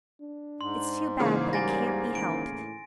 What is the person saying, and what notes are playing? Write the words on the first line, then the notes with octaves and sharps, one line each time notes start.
It's too bad, but it can't be helped.
D4
G#2 C6
C#3 E3 G#3 A#3
G3 G#5 A6 A#6
D#3 D7
A2